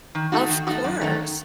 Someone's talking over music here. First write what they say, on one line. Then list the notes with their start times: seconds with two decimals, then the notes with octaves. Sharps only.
Of course.
0.15 D#3
0.32 A3 D#4 F#4
0.49 D#3
0.67 A3 D#4 F#4
0.84 F#2
1.01 D#3 F#3 A3